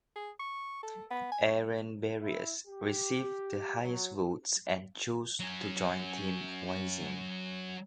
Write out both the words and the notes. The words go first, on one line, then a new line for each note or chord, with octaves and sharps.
Aaron Barrios received the highest votes and chose to join Team Wisin.
G#4
C#6
A4
B3
G#5
C#5
E4
G4
F#3
F#3 C#4